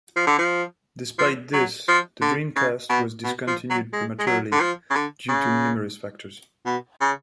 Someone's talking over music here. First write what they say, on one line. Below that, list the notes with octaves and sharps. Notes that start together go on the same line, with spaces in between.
Despite this, the Dreamcast was discontinued prematurely due to numerous factors.
F3
D3
F3
F3
F#3
F3
D3
C#3
B2
B2
F3
F#3
G#3
G#3
F#3
D3
F3
C#3
D3
C#3
B2
C#3